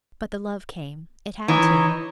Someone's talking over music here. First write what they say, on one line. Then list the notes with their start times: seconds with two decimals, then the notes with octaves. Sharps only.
But the love came ... it had to.
1.48 E3 D#4 C#5 D#5